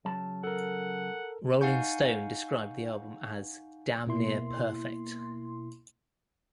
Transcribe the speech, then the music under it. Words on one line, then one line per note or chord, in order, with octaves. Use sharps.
Rolling Stone described the album as 'damn near perfect.
C#3 F#3 A5
A4 A#4 F#5
D#4 F5 F#5 G#5 C#6 G6
B2 A#3 E4 C6